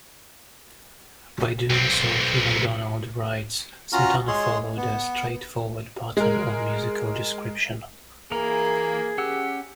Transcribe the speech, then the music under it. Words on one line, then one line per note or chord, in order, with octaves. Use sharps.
By doing so, Hugh Macdonald writes, Smetana followed "a straightforward pattern of musical description".
B1 C4
C#4 F4 F#4 A#5 F6
G#3 G#4 C#5 C6
B3
G#3 A#4
E3 A#3 G#4 A#4 A#5
C#4 G4 F#5 E6